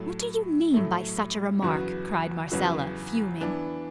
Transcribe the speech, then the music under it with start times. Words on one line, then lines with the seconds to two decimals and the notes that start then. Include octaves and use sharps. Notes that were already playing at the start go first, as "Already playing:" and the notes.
"What do you mean by such a remark," cried Marcella, fuming.
Already playing: A2 F#3 A3
0.74 A2 F#3 A3
1.62 E2 C#3 F#3 B3 F#4
2.52 E2 C#3 F#3 B3 F#4
3.41 E3 B3 D4